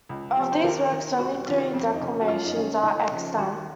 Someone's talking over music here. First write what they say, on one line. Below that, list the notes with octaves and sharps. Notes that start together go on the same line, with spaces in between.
Of these works only three declamations are extant.
C#2
C3 F3
C5
D#2 A#4
D#3
C2 F#4
C3 D#3 F4
F2 C4
D#4
C#3 F3 C#4
F#4
F#2 F4
D#4
D#3 C#4
C#2 D#4
C#3 F3
D#2 F#4